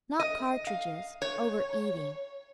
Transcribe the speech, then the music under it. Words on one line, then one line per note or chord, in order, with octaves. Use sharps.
Not cartridges; over-eating.
D#5
F5
C#5